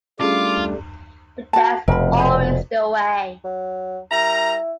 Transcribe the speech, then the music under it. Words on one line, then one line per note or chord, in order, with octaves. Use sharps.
But that’s always the way.
G3 A3 C#4 D4 F4 G#4 D6
F#4 A5
F1 F2 B2 A#4 B5
B4 C5 G#5
F#3
G3 E4 A#4 A#5